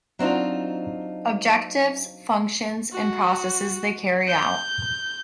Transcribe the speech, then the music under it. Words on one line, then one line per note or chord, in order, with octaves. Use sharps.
Objectives, functions and processes they carry out.
F#3 C4 D4 D#4 F4
F#4
G6